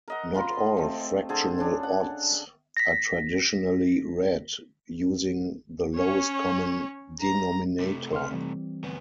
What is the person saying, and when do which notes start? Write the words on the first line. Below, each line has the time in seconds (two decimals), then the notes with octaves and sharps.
Not all fractional odds are traditionally read using the lowest common denominator.
0.08 A#4 D#5 F#5
0.34 F4 A#4 B5 C6
0.77 A3 C4
1.29 D3 G#4 A4 C5
1.58 C#4 D4
1.83 F#5
2.77 A#6 B6
5.96 C#4 C#5
7.21 A#5
7.80 C3 A3
8.13 C6 F6
8.32 E3 G3 C4
8.84 D2 B3